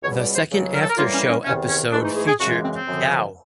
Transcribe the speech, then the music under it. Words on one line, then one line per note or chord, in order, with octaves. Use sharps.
The second aftershow episode featured Yeoh.
C#2 B2 G3 C#5
D5
C5
C#2 C#3 F#3
A#4
A4
A#4
A2 E3 G3 A#3 F4
C#4
C#4
E2 C3 D#3 C#4
C#4
G#2 E3 A3 D4
D#4
G#4
G#4
F#2 C#3 E3 G#3 F#4
F4
C4
C4
F#2 D3 F3